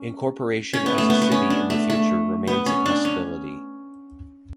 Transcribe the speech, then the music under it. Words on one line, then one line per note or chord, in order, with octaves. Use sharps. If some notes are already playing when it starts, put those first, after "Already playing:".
Incorporation as a city in the future remains a possibility.
Already playing: C#4
C#4
B3
A3
B3
B3
C#4
D4
A3
A3
B3
C#4
D4
C#4